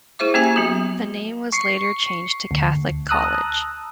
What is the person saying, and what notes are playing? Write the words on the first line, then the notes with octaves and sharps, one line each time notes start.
The name was later changed to Catholic College.
E4 G#4 C5 E5 D6
A#3 C#4 G4 E5 G#5
F#3 B3 F#4
C#6 C7 C#7
D2
A5 A#5 D#6 E6 F#6